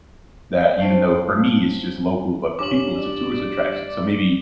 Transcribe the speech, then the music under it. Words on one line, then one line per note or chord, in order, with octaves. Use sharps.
that even though for me it's just local, but for people it's a tourist attraction. So, maybe
C5 C#5 F5 G5 A5 G6
G2 C#4 F4 A#4 D6 F#7
D5